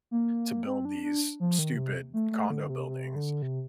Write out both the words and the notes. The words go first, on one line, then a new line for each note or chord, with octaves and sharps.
to build these stupid condo buildings
A#3
C4
D4
D4
F3
D#3
C3
A3
A3
D3
C3
C3
D3
C3